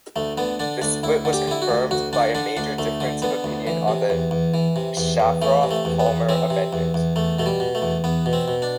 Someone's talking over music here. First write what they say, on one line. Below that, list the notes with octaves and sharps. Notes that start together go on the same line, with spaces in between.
The split was confirmed by a major difference of opinion on the Shafroth-Palmer Amendment.
D2 A3
D3 B3
D3 D4
D2 D4
D2 E4
D3
G4
D3 E4
F#4
D2
D2 F#4
D3 D4
D3 D4
D2 D4
D2 A3
D3
D3 B3
D2
E3
C3
E2
E2
E3
C3
E2
E2
E3 A3
C3
A3
E2
B3
E2
E3 C4
C3
E2
E2
E2 A3
B2 A3
G3
B2
A3
E2
E2 B3
B2
C4
B2
D4